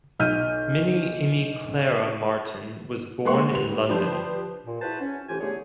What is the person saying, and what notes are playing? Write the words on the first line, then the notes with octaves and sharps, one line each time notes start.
Minnie Amy Clara Martin was born in London.
B1 F6 G6 D#7
G#3 A#3 F#5 C6 C#6
G3 B4 F7
F3 D4 G4 B4 C5
A#2
E4 F#4 G#4 B4 C5 A5
C#4
A2 C3 E3 F4 G4 G#5
E2 D3 A3 G4 G#4 C#5